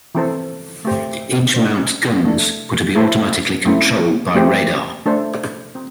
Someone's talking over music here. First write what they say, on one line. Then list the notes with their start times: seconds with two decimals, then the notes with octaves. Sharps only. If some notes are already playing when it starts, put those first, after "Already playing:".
Each mount's guns were to be automatically controlled by radar.
0.15 E3 C4 A4 C5
0.85 A3 C4 G4 C5
1.54 A3 D4 C5
2.25 A3 D4 A4
2.95 A3 E4 A4 C5
3.65 A3 C4 E4
4.35 A3 C4 G4 C5
5.06 A3 D4 A4 C5
5.75 C4